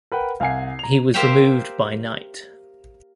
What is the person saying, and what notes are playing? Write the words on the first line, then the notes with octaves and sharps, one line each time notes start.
He was removed by night.
A#4 B4 F#5 G5
C2 F5 F#5 G#5 G#6 C7
A#5 F7
A#3 G4 C5 E5 F5 G5